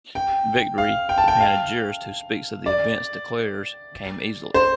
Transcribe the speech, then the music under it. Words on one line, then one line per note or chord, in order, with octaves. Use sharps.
Victory, the panegyrist who speaks of the events declares, came easily.
G5
F5
G5
A5
G5
F5
D5
C5